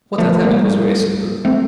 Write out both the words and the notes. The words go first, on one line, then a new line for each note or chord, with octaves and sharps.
What had happened was very simple.
F3 A3
G3 A#3
A3 C4